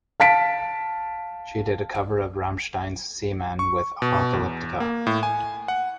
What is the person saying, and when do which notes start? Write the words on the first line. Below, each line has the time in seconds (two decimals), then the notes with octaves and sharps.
She did a cover of Rammstein's "Seemann" with Apocalyptica.
0.20 F5 A5 B6 D7
3.59 C#6
4.02 B2
4.33 E2
4.80 A#3
5.07 A2
5.23 G#5
5.68 F#5